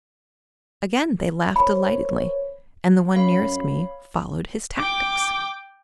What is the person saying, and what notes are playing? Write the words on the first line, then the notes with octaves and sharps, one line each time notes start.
Again they laughed delightedly, and the one nearest me followed his tactics.
A#4 C5 C#5 B5
F#2 C#5 F5 B5
G5 D6